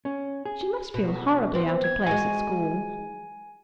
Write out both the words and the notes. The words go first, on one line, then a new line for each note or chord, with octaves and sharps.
She must feel horribly out of place at school.
C#4
G#4
B2
B3 C4
G#6
G#3 F#4 G#5